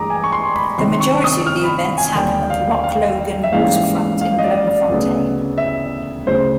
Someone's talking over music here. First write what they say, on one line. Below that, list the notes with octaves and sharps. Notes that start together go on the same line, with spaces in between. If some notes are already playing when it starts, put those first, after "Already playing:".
The majority of the events happen at the Loch Logan Waterfront in Bloemfontein.
Already playing: G2 E3 G#3 A#5 D6 D#6
G#5
C#6
C6
B5
C3 D#3 F#3 C6
C#6
D#6
F6
B5
G#5
D#2 D3 G3 A#3 G5
F5
F5
E5
G#2 E3 G3 A#3 C#4 F5
F5
D#5
D5
D5
D2 C#3 F#3 B3
E5
D2 C#3 F#3 C5